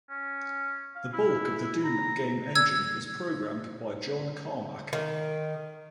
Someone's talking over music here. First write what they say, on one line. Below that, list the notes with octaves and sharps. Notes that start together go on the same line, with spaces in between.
The bulk of the "Doom" game engine was programmed by John Carmack.
C#4
F5
E4
A#5
E6 G#6
D#3